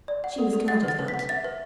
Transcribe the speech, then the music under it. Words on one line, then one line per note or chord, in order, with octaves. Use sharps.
She was glad of that.
D5
F#5
A4
A4
F#5 A6
B4
A6
B4
B6
F#5
B6
E5 A6
B4